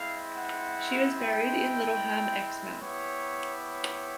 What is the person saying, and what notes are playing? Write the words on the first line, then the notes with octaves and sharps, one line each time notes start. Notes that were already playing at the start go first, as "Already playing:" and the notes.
She was buried in Littleham, Exmouth.
Already playing: G#3 C4 E4 F5
F#5
G5
B3 E4 G4 C#5
C#5